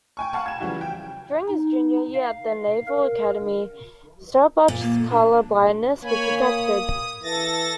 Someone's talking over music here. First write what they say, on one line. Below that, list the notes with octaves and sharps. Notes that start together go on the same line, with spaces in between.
During his junior year at the Naval Academy, Staubach's color-blindness was detected.
G5 G#5 C#6
F5 F#5 A5 B5 C#6
G#6 E7
C#3 E3 F3 G3 E4 F#4
G5
D#4
F5
A#4
A#2
A#3
D4
A#3 C#5 G#5 B5
D#6
E3 A4 A6 A#6